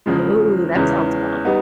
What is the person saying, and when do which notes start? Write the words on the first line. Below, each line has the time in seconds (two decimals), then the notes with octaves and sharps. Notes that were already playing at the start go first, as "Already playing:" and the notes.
Oh, that sounds fun.
0.06 E2 C#3 F3 G#3
0.75 E2 C#3 E3 G#3 C#4
1.45 G3 B3 D#4